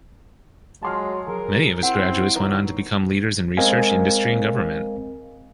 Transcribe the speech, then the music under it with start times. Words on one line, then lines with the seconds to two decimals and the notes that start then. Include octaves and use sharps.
Many of its graduates went on to become leaders in research, industry and government.
0.83 F#3 G#3 A5 C6 F6
1.28 F#3 G#4 A#4
1.83 C4 E4 F#5
2.35 D#3 F#3 B4 A#5
3.57 G#3 C4 A#4 D#5 F5 G#5